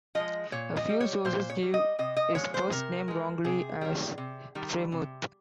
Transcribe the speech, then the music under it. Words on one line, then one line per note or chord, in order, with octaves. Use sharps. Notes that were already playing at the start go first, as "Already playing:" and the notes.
A few sources give his first name wrongly as "Freimuth".
F3 G#3 D#5
A#2 C#5
D#5
G3
C#5
A#2 C5
C#5
G3
D#5
C3 D#5
D#5
F3 G#3 C#5
C5
C3 A#4
F3 G#3
C3 G#4
D#3 G3
C3
D#3 G3
C3